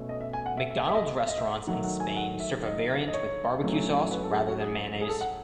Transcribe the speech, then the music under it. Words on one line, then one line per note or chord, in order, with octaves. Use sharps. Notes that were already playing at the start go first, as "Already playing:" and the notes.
McDonald's restaurants in Spain serve a variant with barbecue sauce rather than mayonnaise.
Already playing: B2 A3 C#4
D#5
E5
G#5
F#5
E5
E5
E5
D#5
E5
D#5
E5
D#3 F#3 A3 F#5
F#5
G#5
F#5
E5
D#5
D#5
C#5
A2 F#3 A3 C#4
B4
A4
G#4
A4
F#4
G#4
G#4
A4
F#5